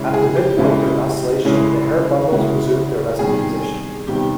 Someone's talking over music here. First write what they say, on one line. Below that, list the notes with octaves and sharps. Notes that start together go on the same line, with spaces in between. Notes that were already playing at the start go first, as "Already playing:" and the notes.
At the midpoint of an oscillation the hair bundles resume their resting position.
Already playing: C#3 E3 G#3 C#4 E4
G#4
G4
C#3 E3 G#3 C#4 E4
C#3 E3 G#3 C#4 E4
C#3 E3 G#3 C#4 E4 F#4
C3 D#3 G3 B3 G#4
C3 D#3 G3 B3 G4